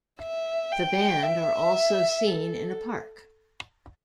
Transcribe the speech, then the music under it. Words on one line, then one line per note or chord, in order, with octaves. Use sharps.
The band are also seen in a park.
E5
G5
E5
A4